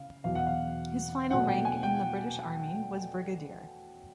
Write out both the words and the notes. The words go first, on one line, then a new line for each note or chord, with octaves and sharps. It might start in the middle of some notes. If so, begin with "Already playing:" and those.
His final rank in the British Army was brigadier.
Already playing: C#3 F5
E2 B2 F#3 F5
F#5
F5
B2 F#3 A3 D4 F#5
G5
G#5
G5